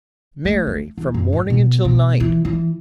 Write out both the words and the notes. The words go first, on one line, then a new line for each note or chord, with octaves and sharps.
Mary!' from morning until night.
A3
A3
E2
F#2
A2
B2
B2
E3
E3